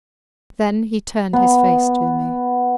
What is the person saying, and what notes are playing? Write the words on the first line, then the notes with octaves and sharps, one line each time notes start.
Then he turned his face to me.
B3